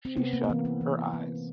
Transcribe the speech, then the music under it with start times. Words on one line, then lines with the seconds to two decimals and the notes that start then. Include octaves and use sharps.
She shut her eyes.
0.05 C4
0.17 C3 B3
0.33 A#3
0.44 A#3
0.49 E3 B3
0.65 A#3
0.81 E3
1.13 A#3